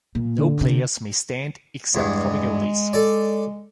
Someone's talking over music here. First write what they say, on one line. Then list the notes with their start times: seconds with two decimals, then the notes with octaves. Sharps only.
No players may stand except for the goalies.
0.15 A#2
0.38 D3
0.61 C3
1.95 E2 G2 G#3
2.93 A4 D5